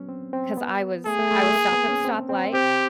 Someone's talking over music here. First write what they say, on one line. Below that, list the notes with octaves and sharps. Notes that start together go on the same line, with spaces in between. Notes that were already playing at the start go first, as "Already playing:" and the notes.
'cause I was I was stopped at a stoplight,
Already playing: F#3 B3 C#4
C4
C4
B3
A3 G#4
A3
A3
A3
A#3
B3
C#4
C4
C4
C4 G4